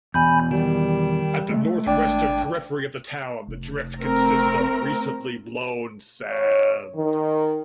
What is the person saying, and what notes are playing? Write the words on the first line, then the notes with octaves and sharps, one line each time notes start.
At the northwestern periphery of the town the drift consists of recently blown sand.
E2 B2 G#5 B5 G6
D#3 G3
G#3 A3
G#1 D4 G5
F1
A3 C4 A#4
C#5
D#3